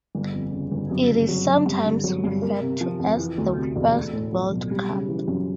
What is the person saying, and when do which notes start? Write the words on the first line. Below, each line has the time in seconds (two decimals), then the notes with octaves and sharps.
It is sometimes referred to as "The First World Cup".
0.15 G1
0.33 F2
0.52 C#3
0.71 G1
0.91 F#2
1.10 C#3
1.29 F#3
1.48 F#2
1.66 G2
1.85 D3
2.04 F#3
2.24 G2
2.42 A#3
2.61 C3
2.81 F3
3.00 F2
3.19 E3
3.38 D2
3.56 C3
3.76 E1
3.94 A3
4.13 A2
4.33 F3
4.52 B1
4.71 G3
4.90 C#3
5.08 E3
5.28 F#2